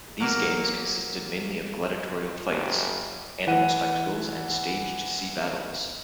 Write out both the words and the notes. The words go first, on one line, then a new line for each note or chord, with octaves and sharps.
These games consisted mainly of gladiatorial fights, animal spectacles and staged sea battles.
F#3 A#3
F#1
E3 F#5 D#7